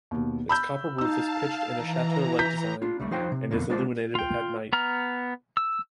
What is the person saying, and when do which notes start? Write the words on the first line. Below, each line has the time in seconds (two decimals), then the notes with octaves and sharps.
Its copper roof is pitched in a chateau-like design and is illuminated at night.
0.11 D#2 B2
0.49 B5 E6 G6
0.98 D#4 F5 A5 E6
1.73 E3 A#5
2.39 G6 B6
2.82 D4 F4
3.00 C2 G3 A3
3.11 F3 D#4 C5 C#5 G5
3.32 C3
3.51 F2 B2 D3 A#3
3.70 G#3 D4 F4 C5 D5
4.15 F4 G5
4.73 B3 A#5 F6
5.57 E6